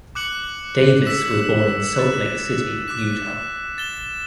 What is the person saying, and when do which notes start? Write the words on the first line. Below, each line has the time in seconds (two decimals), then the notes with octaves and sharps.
Davis was born in Salt Lake City, Utah.
0.15 D6 F#6 C#7 F#7
1.05 E6 B6 E7
1.96 F#6 A6 E7
2.88 D6 F#6 B6 E7
3.78 A6 E7 G7